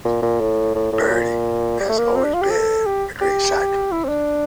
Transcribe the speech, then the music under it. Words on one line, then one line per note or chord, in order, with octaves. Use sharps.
Bertie has always been a great cyclist.
A#2
A#2
A2
A2
A2
A#2
G3
A3
A#3
C4
D4
F4
G4
A4
G4
G4
E4
C4
D4